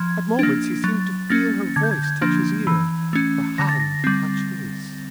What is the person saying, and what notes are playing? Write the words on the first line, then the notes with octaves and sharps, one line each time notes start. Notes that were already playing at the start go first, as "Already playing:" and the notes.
At moments he seemed to feel her voice touch his ear, her hand touch his.
Already playing: F3 G#6
A#3 D4
F#3 A6
A#3 C#4 A6
D3 G#6
G6
G#6
F3 A#3 D4
E3
A3 C#4
D3 A#6
A6
A#6
G3 C4